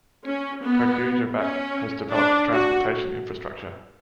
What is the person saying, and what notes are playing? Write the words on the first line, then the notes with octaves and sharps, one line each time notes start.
Kragujevac has developed transportation infrastructure.
C#4
B3
C#4
D4
F#4